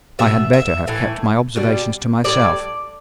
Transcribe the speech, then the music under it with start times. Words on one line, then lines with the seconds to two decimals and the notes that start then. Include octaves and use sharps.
I had better have kept my observations to myself.
0.19 B2 G3 E5
0.53 E5
0.87 A2 E3
1.56 B2 G3
2.24 A2 G3 D5